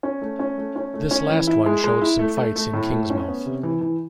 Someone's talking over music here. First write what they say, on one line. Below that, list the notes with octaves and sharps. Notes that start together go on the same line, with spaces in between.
This last one showed some fights in Kingsmouth.
C#4
A3
C#4
A3
C#4
A3
C#4
E3
E4
G#3
G#3
E4
A3
A3
A3
A2
A3
C#4
B3
C3
E3
E3